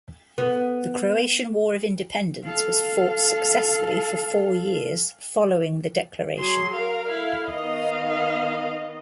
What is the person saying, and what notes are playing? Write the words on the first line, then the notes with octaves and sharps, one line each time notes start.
The Croatian War of Independence was fought successfully for four years following the declaration.
B3
A4 F5
F#3 G#4 C6
A#4 F5
E4 A4 F5
D#3 B3 D#5 F5